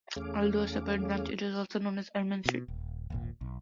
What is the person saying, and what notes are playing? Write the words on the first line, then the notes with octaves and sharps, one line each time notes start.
Although a separate branch, it is also known as Ermine Street.
E2 A3 C#4 G#4 F5 D6
B2
D#1
D#1 G#1 A#2
B1